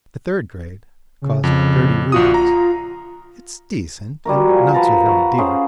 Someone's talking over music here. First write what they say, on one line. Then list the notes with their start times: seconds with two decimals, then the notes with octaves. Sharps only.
The third grade cost thirty roubles; it's decent and not so very dear.
1.22 C#3
1.44 F2 C#3
2.12 A#1 F4 F#4 D#6
2.34 A#5
4.25 G3 F#4 A#4
4.48 F3 G#5
4.74 B4 C5 A5 A#5
5.06 F#5 C#6
5.38 C#4 G#4 C5 F5